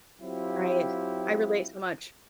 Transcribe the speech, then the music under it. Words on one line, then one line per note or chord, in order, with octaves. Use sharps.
Right. I relate so much.
F#3 C4 E4 F4 G4